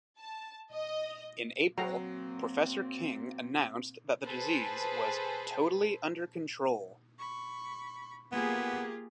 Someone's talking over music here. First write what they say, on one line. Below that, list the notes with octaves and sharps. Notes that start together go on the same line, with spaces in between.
In April, Professor King announced that the disease was "totally under control".
A5
D#5
F#3 A#3 C4 F#4 G5 A#5 C7
G#4 A4 B4 C5
B5 C#6
A#3 B3 F4 G4 G#4